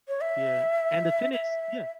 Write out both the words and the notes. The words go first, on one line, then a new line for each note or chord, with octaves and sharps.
Yeah, and the thing is Yeah.
C#5
E5
E5